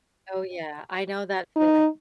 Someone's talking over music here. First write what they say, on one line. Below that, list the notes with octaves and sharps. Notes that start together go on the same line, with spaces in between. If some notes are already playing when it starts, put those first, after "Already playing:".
Oh, yeah, I know that feeling,
D#4